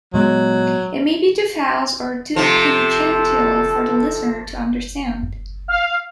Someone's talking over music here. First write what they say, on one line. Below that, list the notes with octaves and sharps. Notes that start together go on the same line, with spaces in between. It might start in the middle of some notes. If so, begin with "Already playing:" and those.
It may be too fast, or too tangential for the listener to understand.
A#2 F#3 G#3 B3
C3 F3 A4
F5